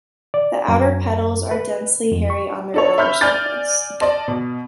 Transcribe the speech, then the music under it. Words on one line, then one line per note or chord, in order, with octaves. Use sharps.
The outer petals are densely hairy on their outer surface.
D5
F#2
B4
F2
C#6
D4 A4 C#5
E5 B5 F6 G6
D5 G#5 F6 G6 A6
D5 D#5 A5
B2